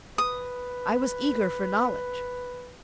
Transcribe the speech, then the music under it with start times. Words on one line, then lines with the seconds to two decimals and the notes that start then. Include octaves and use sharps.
I was eager for knowledge.
0.18 B4 D#6